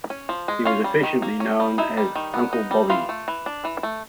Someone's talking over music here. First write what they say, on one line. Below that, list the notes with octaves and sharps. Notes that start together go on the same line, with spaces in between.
He was affectionately known as "Uncle Bobby".
C#4
F3
G#3
C#4 F4 F5
G3
D#3
A#3
C#4
G3
D#4 E4 E5
G3
D#3
B3
D#4
G3
E3 F4 F5
A3
E3
D4
E3
A3